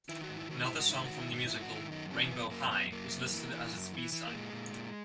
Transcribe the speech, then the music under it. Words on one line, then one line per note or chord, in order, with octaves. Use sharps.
Another song from the musical, "Rainbow High", was listed as its B-side.
D#3 E4
F#4
G#2
E4
D#3 F#4
E4
G#2
F#4
D#3 E4
D#3 F#4
E4
G#2 F#4
G#2 E4
F#4
D#3 E4
F#2 D#4
E3 C#4
F#2 B3
F#2 A#3
F#2 B3
F#2 A#3
F#2
E3
E3
F#2
E3
E3
A#3
A#2 G#3
A#2
A#2